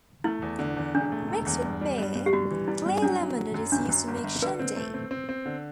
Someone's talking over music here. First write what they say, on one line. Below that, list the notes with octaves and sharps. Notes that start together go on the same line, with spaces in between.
Mixed with beer, clear lemonade is used to make shandy.
A3 E4
E2
D3
E2
E1 D4
A3
E1
E2
G2
G3
G2
G2
G4
G2 F#4
E3
G3 E4
G2
F#3 D4
F#3
F#3
F#2
G1 D4
F#2
G1
G1
D3 B4
C4
A3
C4
C4
C4
D3